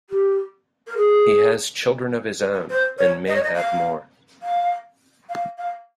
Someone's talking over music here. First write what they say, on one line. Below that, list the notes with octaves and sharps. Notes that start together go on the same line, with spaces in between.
He has children of his own, and may have more.
G4
A#4
G#4
C5
C#5
D#5
C#5
D#5
F5
F5
F5
F5